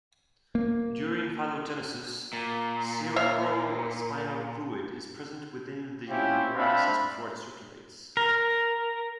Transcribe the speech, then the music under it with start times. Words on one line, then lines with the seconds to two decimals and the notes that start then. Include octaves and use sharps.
During phylogenesis, cerebrospinal fluid is present within the neuraxis before it circulates.
0.55 A#3
2.33 A#2
3.16 C#5 E5 F5
6.09 C4 C#4 E4 F4 G4
6.56 C4 D4 E5 F5 B5
8.17 A#4